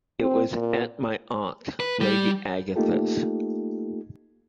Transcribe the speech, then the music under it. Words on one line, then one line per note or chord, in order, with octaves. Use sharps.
It was at my aunt, Lady Agatha's.
C4
A#2
B4
G3
A3 A#3 D#4 F4 G4 A4